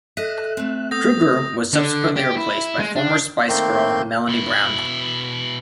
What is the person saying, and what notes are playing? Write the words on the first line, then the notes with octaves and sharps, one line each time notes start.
Kruger was subsequently replaced by former Spice Girl Melanie Brown.
A4 D#5 E5 F#6
A3 C4
B3 A4 D#6 G6 A#6
D3
G4
E4
G#3
D4
D#3 A3 A#3 C4 C6 G6
B2 E4